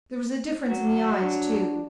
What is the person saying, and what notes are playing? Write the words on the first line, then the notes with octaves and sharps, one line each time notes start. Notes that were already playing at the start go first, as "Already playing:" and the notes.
There was a difference in the eyes, too.
F#3
D4